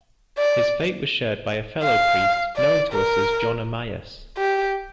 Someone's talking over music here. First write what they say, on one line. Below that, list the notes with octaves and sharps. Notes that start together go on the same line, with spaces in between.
His fate was shared by a fellow priest, known to us as John Amias.
D5
F5
D5
A#4
G4